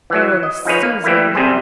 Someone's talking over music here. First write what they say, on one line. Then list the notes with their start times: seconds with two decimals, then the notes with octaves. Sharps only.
"Oh, SUSAN!"
0.10 E3 F#3
0.43 D#5
0.65 F3 D#4 G#4 B4 C#5
0.83 A#3
1.04 E3 G3 A3 A#3 E4
1.35 C2 F#2 C3 G3 G#4 C5